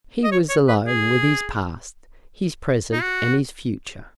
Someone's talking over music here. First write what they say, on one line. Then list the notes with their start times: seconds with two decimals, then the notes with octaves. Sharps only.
He was alone with his past, his present and his future.
0.24 D#5
0.32 C#5
0.49 C#5
0.68 B4
0.86 G#4
2.92 D#4
3.02 F#4